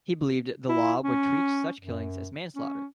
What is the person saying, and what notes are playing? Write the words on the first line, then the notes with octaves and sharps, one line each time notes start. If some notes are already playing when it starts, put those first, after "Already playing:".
He believed that the law would treat such killings as manslaughter.
E4
C#4
F#2
C#4